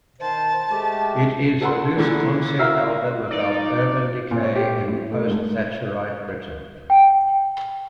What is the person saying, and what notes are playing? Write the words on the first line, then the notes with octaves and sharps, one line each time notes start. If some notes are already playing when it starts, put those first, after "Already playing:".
It is a loose concept album about urban decay in post-Thatcherite Britain.
D#3 C5 A5
G#3 A3 G4
A4 F#5 C6
A#2 D3 E3
E4 F#4 A#4 E5 F5
F3 D#4 D5
A#2
C#5
G4
A2
A3
G#2
G5